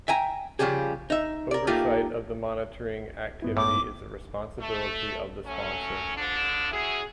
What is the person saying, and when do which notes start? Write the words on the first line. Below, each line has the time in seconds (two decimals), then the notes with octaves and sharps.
Oversight of the monitoring activity is the responsibility of the sponsor.
0.08 E5 G5 G#5 A#5
0.59 C#3 F3 G3 G4 G#4
1.10 D#4 E5
1.51 A#4 D5
1.67 A3 A#3 D#4 F4 G4
3.42 G2 B3 E4
3.57 A2 D6
4.58 A3
5.45 F#3 A3 C#4
6.16 D3 F3 D4
6.71 C#4 E4 F#4 G#4